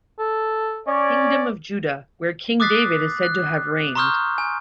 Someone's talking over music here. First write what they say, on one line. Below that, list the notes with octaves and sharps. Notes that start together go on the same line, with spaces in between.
Kingdom of Judah, when King David is said to have reigned.
A4
C#4 C#5 D5
D6 D#6 F#6 A6 B6 C7
F#6
A#5 C6 C#6 D#6 F6 G6
G#5